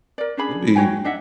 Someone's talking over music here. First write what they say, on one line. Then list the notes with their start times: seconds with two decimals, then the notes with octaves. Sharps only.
It'd be
0.18 A#4 D5
0.37 C#4 D4 G#4 B5
0.75 F#4 C#5 G5 G#5
1.04 D4 D#5 E5 F#5